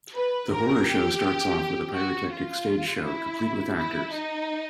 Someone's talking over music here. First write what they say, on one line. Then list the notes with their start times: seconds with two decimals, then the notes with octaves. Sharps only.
The horror show starts off with a pyrotechnic stage show complete with actors.
0.15 B4
0.50 A#4
0.87 G4
1.94 F#4
2.31 F4
3.03 E4
3.76 E4
4.12 D#4